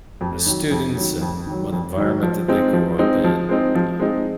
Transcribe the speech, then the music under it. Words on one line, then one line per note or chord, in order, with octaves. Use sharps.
the students, and what environment did they grow up in. Um,
F2
D#3 F#3
F2
D#3 F#3
F2
D#3 F#3
F2
D#3 F#3
F3
G#3 C4 D#4
F3
G#3 C4 D#4
F3
G#3 C4 D#4
F3
G#3 C4 D#4